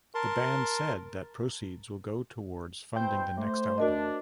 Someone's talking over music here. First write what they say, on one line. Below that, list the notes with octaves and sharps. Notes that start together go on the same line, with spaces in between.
The band said that proceeds will go towards funding the next album.
A#4 A5 C6
B2 E4 C5 G5 G6
A3 C5
D4 F#4 A#4 D#5